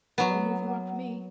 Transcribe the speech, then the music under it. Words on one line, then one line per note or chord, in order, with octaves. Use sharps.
No movie work for me!
F#3 B3